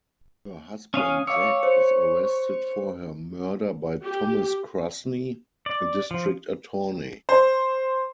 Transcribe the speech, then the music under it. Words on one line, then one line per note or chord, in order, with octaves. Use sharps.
Her husband Jack is arrested for her murder by Thomas Krasny, a district attorney.
C#4 F5 G#5 D#6
C#5 F5 D6 E6
C5
G4
D5
F3
C5